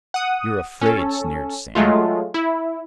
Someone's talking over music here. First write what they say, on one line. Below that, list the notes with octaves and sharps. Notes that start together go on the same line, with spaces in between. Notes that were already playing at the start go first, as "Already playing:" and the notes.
"You're afraid," sneered Sam.
F#5 D#6
C#4 A4
F#3 G#3 A3 F4
E4